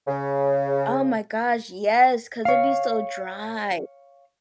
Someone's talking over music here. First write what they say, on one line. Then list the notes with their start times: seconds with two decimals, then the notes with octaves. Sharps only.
Oh my gosh, yes, 'cause it be so dry.
0.07 C#3
2.45 C#5 F5